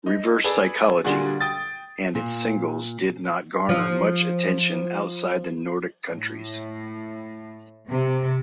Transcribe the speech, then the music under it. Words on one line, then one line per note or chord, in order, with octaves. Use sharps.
"Reverse Psychology" and its singles did not garner much attention outside the Nordic countries.
D#4
G#4 A4 B4 D5
A#2 D3 G3 D4 F#4 G#4
G5 D#6 A6
A#2
F3 F4
A2
C3